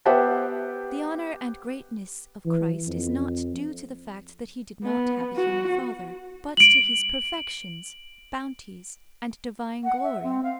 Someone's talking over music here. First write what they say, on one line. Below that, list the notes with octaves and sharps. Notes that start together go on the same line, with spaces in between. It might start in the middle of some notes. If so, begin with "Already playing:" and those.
The honor and greatness of Christ is not due to the fact that He did not have a human father, but to His perfections, bounties and divine glory.
B3 G4 C5 E5 F#5 A5
E3
F2
B3
F#4
D7 F#7
F#5
E5
C4
F5